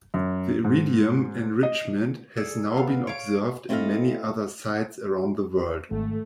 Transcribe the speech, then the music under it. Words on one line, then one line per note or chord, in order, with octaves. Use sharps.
This iridium enrichment has now been observed in many other sites around the world.
F#2
G#2
D#5
G#4 A4 D5
B3 F5
C#5 F5 D7
A3 C4 E4 A4 D#5 F5
G#1 A3